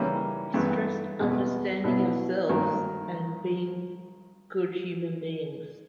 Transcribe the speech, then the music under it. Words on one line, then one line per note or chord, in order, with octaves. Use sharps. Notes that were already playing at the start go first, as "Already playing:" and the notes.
He stressed understanding ourselves and being good human beings.
Already playing: C#3 E3 G3 A#3 C#4
G2 E3 G#3 B3
E2 B2 G#3 B3
B2 F#3 B3 E4
G2 D#3 F#3 A#3